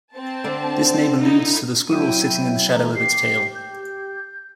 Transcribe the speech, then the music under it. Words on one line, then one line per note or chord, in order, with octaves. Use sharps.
This name alludes to the squirrel sitting in the shadow of its tail.
C4 A5
D3 D4
D#4 E4
F#3 E4 G5 D#7
E3 A3 A#5
G4 C7
G6